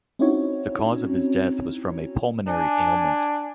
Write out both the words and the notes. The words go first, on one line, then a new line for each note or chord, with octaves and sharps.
The cause of his death was from a pulmonary ailment.
C4 C#4 D#4 E4 F#4 C#5
D4 G#5